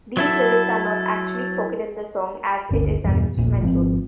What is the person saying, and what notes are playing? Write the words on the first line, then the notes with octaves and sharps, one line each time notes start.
These lyrics are not actually spoken in the song, as it is an instrumental.
F#3 E4 A4
G1 D2 C#4
E2 G2 B2
E1 A#1 A#2
G#1 G#2 F3 C4